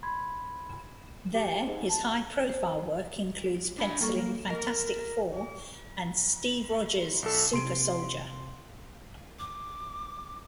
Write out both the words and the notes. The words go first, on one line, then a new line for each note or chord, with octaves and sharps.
There, his high-profile work includes pencilling "Fantastic Four" and" Steve Rogers: Super-Soldier".
B5 C6 G#6
G4
G#2
A5
F#5
C5
D4 B5
G3 A#3 A4 C#6
A#4 D#5
B1 A4
C3 C6 D7
D6